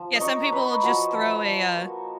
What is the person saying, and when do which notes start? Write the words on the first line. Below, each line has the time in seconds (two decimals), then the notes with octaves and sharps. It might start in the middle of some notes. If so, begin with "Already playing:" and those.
Yeah, some people just throw a, uh,
Already playing: F3
0.15 D#5
0.21 D#4 C#5
0.42 C#5
0.52 D#4 B4
0.83 F3 F#4
1.14 F3
1.46 F3
1.76 A#3